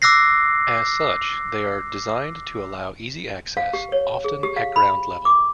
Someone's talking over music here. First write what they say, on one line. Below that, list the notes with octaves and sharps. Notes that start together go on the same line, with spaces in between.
As such, they are designed to allow easy access, often at ground level.
D6 E6 F#6 A#6 C7
F5
G4
C#5
G#4
G4
F5
B5
D6